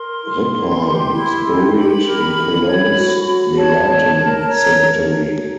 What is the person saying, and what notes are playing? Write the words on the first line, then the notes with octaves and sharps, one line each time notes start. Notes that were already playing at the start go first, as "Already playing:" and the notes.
Riphahn is buried in Cologne's Melaten cemetery.
Already playing: A#4 C6
E4
E4
G4
E4
G4
G4 B5
A#4
E4
C#5
F#4
F#4
C#5 A5
C#5
A#4
C#5 A#5